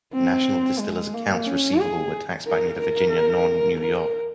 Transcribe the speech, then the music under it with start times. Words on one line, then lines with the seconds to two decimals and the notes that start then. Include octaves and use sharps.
National Distillers' accounts receivable were taxed by neither Virginia nor New York.
0.13 C4
0.79 G#3
1.14 A#3
1.46 C#4
1.80 G#4
2.47 A#4
2.80 A#4
3.80 A#4